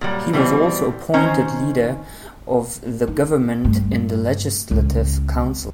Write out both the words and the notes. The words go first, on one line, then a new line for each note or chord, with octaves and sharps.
He was also appointed Leader of the Government in the Legislative Council.
A#2 F#3 G3
B2 E3 G3 C4
D#3 C#4 C5 A#5
D#4
G2 A3
C#2